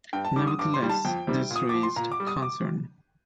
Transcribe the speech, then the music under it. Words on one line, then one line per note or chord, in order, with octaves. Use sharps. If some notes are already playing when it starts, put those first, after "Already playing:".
Nevertheless, this raised concern.
G2 G5
A5
D#3 G3 D6
D#6
G2 D6
C6
D#3 G3
A5
F2 G5
C3 D#3 G3
A#2
D#6
F3 D6
C6
A#2 A#5
D6
G3
D#6
D6